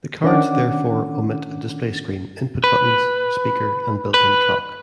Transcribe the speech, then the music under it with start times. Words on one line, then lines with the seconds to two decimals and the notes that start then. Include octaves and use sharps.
The cards therefore omit a display screen, input buttons, speaker and built-in clock.
0.24 D#3 C#4 D4 F#5 D6
2.64 B4
4.14 B4